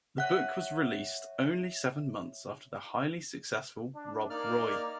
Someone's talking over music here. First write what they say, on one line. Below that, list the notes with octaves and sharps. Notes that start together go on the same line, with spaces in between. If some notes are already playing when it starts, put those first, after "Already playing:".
The book was released only seven months after the highly successful "Rob Roy".
C#5 E5 F#5 F#6
D4
A#3 D#4 D5 F6